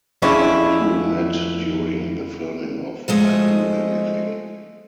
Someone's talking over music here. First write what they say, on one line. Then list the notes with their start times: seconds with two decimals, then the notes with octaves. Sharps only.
The two met during the filming of "I'll Do Anything".
0.22 F2 C#4 D4 E4 G#4 D5
3.08 F3 G#3 A3 D#5